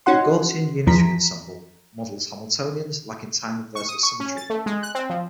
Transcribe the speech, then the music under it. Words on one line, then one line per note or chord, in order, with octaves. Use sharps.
The Gaussian unitary ensemble models Hamiltonians lacking time-reversal symmetry.
C#4 D#4 F#4 F#5 C6
E2 E3 F3 A#5 B6
C#6
D#6
C#6
C#4
A6
A3
G#3
F#6
C4
F3